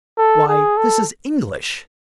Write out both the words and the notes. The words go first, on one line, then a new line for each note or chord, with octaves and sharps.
"Why, this is English!"
A4
G#4
A4